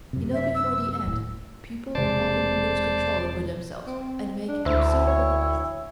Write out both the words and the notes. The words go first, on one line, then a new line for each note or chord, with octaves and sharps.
You know, before the end people often lose control over themselves and make absurd requests.
F#2 C3
E5
E6
D#1 A2
E1 C3 G#3 C5 D5 A5
C4
D4
D2 E4 C5
C#5